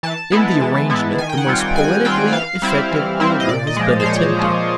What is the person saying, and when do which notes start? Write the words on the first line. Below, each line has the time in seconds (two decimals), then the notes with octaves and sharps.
In the arrangement, the most poetically effective order has been attempted.
0.03 E3 A5
0.32 G#3 B3 E4
0.61 E3
0.90 G#3 B3 E4
1.18 D#3 G#5
1.29 G5
1.37 F#5
1.47 G3 C4 F4
1.57 G5
1.75 D#3 G#5
2.05 G3 C4 F4 G5
2.33 E3 F5
2.62 G3 C4 E4
2.91 E3
3.20 G3 C4 E4
3.40 D#5
3.48 A#2 D5
3.67 D#5
3.76 F3 G#3 D5
4.00 C5
4.06 A#2 C#5
4.35 F3 G#3